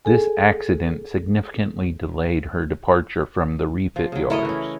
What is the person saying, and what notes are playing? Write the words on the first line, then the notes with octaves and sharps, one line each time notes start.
This accident significantly delayed her departure from the refit yards.
G#4 A4 G#5
F3
C#3 F#3
A3 E4 A#4 C#5 D#5
E3 C#4